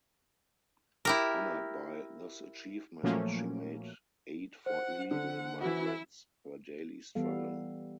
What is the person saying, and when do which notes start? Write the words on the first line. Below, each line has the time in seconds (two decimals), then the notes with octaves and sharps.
Honored by this achievement she made aid for illegal migrants her daily struggle.
1.05 E4 G4 A#4
3.03 A#2 F3 F#3 A3 A#3 C#4
4.66 C5 F#5
5.11 D3 F#5
5.61 E3 E4 F#4
7.15 E3 G3 B3 A4 F5